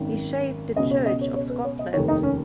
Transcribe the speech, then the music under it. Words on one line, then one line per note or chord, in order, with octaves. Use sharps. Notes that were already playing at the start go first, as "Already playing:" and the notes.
He shaped the Church of Scotland.
Already playing: G#1 F#2 D#3
C#2 B2 D#5
C#5
D#5
C#5
C#5
B4
C#5
D#5
F1 D#2 D#3 C#5
D#4
C#4